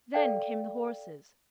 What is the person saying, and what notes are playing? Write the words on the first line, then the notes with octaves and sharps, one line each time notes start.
Then came the horses.
A4 D5 F5 G5